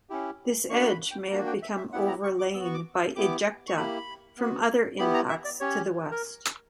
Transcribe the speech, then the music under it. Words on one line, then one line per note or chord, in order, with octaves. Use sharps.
This edge may have become overlain by ejecta from other impacts to the west.
C#4 E4 G4
A#3 D4 F#4 C#6
B5
G5
A#3 D4 F#4 A#5
G5
E5
E5
B3 E4 G4 F#5
A#5
C#6
D6
B3 F#4 E6
C#6
D6
E6
B3 E4 G4 D6
C#6
A#3 E4 G4 B5
B3 F#4
B3 E4 G4 B5
A#5
E5
D5
C#4 G4 C#5
A#4